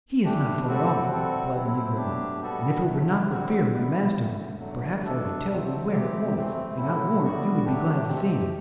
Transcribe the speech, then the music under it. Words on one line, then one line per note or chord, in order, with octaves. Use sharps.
"He is not far off," replied the negro; "and if it were not for fear of my master, perhaps I would tell you where at once, and I warrant you would be glad to see him."
E3 A3 D4 G4
A2 G3 C4 F#4 A4
C3 G3 C4 F#4 A4
F#3 C4 E4
B2 F#3 A3 D4 G4
B2 G3 B3 F#4 A4
G2 F#3 A3
D3 G3 C4 F#4
D3 G3 B3 E4
F#2 D3 A3
E2 D3 F#3 A3
B2 A3 D4 A4
B2 F#3 A3 C4
E3 A3 C4 G4
C3 E3 A3 C4
A2 F#3 A3 E4
D3 G3 B3 F#4
F#3 A3 D4 G4
B2 A3 C4 G4